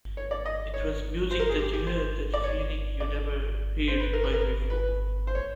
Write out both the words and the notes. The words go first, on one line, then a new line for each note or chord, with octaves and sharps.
It was music that you had that feeling you never heard quite before.
C#5
D5
D#5
C#5
C5
A#4
G#4
G4
G4
C5
D5
C#5
D5
C5
B4
A#4
B4
A#4
B4
C5
C#5